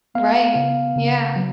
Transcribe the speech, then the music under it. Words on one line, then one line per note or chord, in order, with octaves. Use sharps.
Right. Yeah.
B3 F5
C#3
C#3
F#3